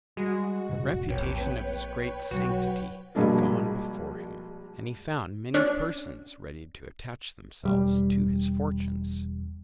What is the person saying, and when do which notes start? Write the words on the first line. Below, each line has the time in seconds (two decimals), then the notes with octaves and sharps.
The reputation of his great sanctity had gone before him; and he found many persons ready to attach themselves to his fortunes.
0.17 G3 G#3 F#4
0.69 E1 G#2 C#3
1.09 A#1 B4 C#5 G5
1.41 B3 C4
2.31 B1 F3 F#3 F#4
3.15 A#1 G2 B2 G#3 D4 A#4
5.54 C#4 D4
7.63 E1 G3